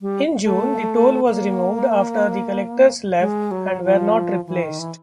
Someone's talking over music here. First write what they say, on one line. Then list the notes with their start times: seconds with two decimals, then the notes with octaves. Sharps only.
In June, the toll was removed after the collectors left and were not replaced.
0.01 G3
0.43 A3
1.28 A#3
3.20 G#3
3.51 F#3
3.84 F3
4.47 E3
4.63 D#3
4.79 E3